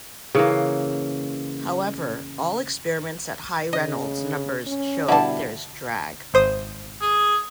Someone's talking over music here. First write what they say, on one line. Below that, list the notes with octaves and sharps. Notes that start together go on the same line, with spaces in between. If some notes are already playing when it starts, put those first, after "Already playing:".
However, all experiments at high Reynolds numbers showed there is drag.
C#3 E3 A#3
C#3 D#5
C#4
B2 D3 G3 E4 A5
G#1 C5 D#6
G#4